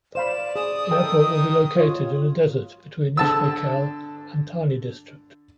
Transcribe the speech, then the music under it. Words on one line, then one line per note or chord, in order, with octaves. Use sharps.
The airport will be located in a desert between Ismailkhel and Tani District.
C5 D5 F5 B5 E7
G#4 D#6
D#3 A4 G5 A5
F4 C#5
D3 A5 E6